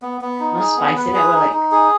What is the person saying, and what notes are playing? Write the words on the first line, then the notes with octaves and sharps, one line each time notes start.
no spice in it, we're like,
B3
B3
D#4
G#4
B3
B4
G#4
D#4
D#4
G#4